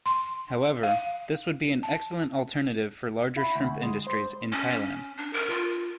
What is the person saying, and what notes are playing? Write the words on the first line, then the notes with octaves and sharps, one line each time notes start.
However, this would be an excellent alternative for larger shrimp industries in Thailand.
C6
F5
A5
E4
D2
G#3
C5
C#4
D4
A#4
F4